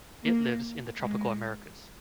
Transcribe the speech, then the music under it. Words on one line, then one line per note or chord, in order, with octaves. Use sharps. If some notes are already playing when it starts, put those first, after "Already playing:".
It lives in the tropical Americas.
A#3
G#3